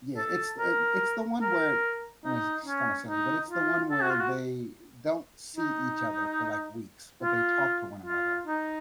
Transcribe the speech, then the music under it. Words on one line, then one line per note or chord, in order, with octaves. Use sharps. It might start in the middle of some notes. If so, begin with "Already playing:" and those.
Yeah, it's eh, it's the one where I guess it's kinda silly, but it's the one where they don't see each other for like weeks, but they talk to one another,
A4
A#4
A#4
D#4
C#4
D#4
F4
A4
F#4
F4
F#4
D#4
F4
F4
D#4